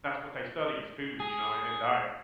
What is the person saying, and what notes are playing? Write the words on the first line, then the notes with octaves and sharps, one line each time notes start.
that's what they study is food, you know, and, and diet.
G#4